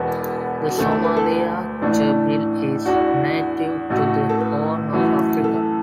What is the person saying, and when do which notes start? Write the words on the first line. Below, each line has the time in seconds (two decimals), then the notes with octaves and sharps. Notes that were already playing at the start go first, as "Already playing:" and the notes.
The Somalia gerbil is native to the Horn of Africa.
Already playing: E1 E2 B2 B3 F#4 B4
0.71 F#4
0.78 D2 D3 A3 A4
0.91 A4
1.04 B4
1.17 A4
1.30 B4
1.81 A1 A2 E3 A3 D4
2.85 E2 E3 D4 F#4
3.89 A1 A2 A3 F#4
4.29 A4
4.41 B4
4.92 F#2 E3 A3 F#4
5.44 A4